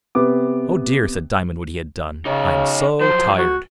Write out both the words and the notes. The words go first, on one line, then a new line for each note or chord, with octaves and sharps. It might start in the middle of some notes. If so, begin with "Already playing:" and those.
"Oh dear!" said Diamond when he had done, "I'm so tired!"
C3 B3 D6
C#3 D#4 C#5
F3 F#3 C5
F#4